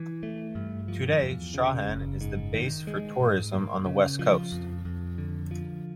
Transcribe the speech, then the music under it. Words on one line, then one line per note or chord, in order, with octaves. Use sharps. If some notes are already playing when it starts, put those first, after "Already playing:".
Today Strahan is the base for tourism on the west coast.
Already playing: E3
A3
G2
F3
E2
C#3
F#1
G#2
D#3
G#3
G#2
A#3
C#3
F3
F2
F2
D3
F3